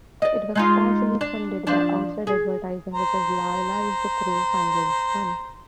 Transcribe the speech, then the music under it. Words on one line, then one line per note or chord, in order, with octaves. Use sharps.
It was partially funded by outside advertising, which was liaised through Flinders One.
D5 D#5
G#3 D#4 F4
D4
F3 D4
G#4
C5 A#5